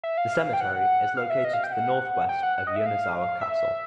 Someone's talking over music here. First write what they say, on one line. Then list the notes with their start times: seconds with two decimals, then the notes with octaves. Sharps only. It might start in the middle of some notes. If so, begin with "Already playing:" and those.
The cemetery is located to the northwest of Yonezawa Castle.
0.04 E5
0.18 F5
0.53 G5
0.61 F#5
1.17 F5
1.30 E5
1.45 D#5
1.53 F5
1.64 G5
1.72 F#5
2.29 G5
2.43 F#5
2.58 F#5
2.67 D#5
2.76 E5
2.86 F5
3.41 E5